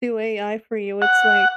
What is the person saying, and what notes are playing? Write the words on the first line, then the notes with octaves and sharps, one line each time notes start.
do AI for you, it's like
F#5